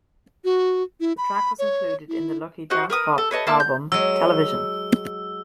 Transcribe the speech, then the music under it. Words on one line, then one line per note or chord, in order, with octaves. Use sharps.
The track was included in the lucky dance-pop album "Television".
F#4
E4
B5
C#5
E4
F#4 C5 D#5 F#5
A#4 B4 D#6
A4
B4 C#5 D#5 A5
A#3 E4 A5 E6
G6
F#3 G#3 E6